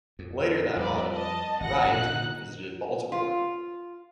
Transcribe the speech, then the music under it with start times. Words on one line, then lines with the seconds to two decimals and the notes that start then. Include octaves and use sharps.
Later that autumn, "Wright" visited Baltimore.
0.19 F2
0.76 F2 G3 B4 D5 D#5
1.10 D#5 A5
1.60 G#1 G2 F#5 A#6
1.92 A#2 D3 D#3 D#4 F#5 F#6
3.12 F4